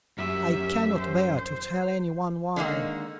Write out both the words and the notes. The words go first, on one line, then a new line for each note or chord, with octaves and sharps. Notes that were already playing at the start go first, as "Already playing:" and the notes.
I cannot bear to tell any one why.
F#2 G4 E5
C5
D3 D#3 G#3 A#3